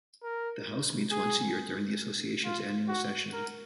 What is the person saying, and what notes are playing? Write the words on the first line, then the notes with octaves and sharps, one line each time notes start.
The house meets once a year during the association's annual session.
A#4
G#4
F4
F#4
A#4